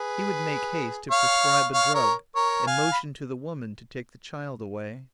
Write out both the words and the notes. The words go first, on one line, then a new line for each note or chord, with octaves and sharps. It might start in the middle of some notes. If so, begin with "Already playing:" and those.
He would make haste to prescribe a drug, and motion to the woman to take the child away.
Already playing: G#4 B4
C#5 F5
C#5 F5
A#4 C#5
A#4 C#5
F5 G#5
B5